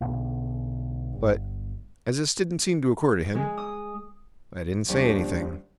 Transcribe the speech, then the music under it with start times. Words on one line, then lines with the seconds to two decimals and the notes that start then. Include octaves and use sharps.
But, as this didn't seem to occur to him, I didn't say anything.
0.01 B1 B2 D3 G#3
1.13 G1
3.35 G#3
3.57 D#6
4.88 D#2 F3 G3 C#4 D4